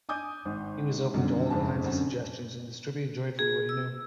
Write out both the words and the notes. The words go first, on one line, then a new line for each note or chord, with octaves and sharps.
He was open to all kinds of suggestions, and distributed joyfully what he knew.
G#5 D6 D#6 G6
G#1
F#2 B2 D3 D#3 G3
G#1 F2 C#3 A5
F#2 D3 C4 C#4
G#4
E6